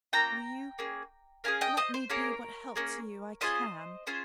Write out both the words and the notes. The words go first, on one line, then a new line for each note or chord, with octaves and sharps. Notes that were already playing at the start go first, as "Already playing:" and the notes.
'Will you let me be what help to you I can?'
A#3 C#4 F4 G5 A#5
A#3 C#4 G#4
A#3 C#4 G#4 F5 G#5
D#5 G5
C5 D#5
C5
A#3 C#4 G#4 A#4 C#5
A#3 C#4 G#4
C#4 F4 G#4 C5 D#5
C#4 F4 G#4 C5